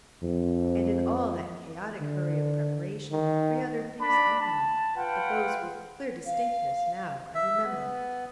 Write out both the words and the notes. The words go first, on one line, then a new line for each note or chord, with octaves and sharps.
And in all that chaotic hurry of preparation, three other things only, but those with clear distinctness now, I remember.
F2
D3
D#3
D4 B5
A5
F4 B4 F#5 G5
F5
E5
B3